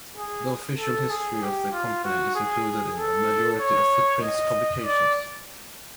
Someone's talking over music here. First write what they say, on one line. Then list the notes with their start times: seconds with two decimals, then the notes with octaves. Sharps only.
The official history of the company, is included in the majority of Footprint's publications.
0.17 G#4
0.78 A4
1.10 G#4
1.42 G4
1.72 F4
2.04 F#4
2.35 G#4
2.96 A4
3.60 C#5
4.22 D#5
4.84 D5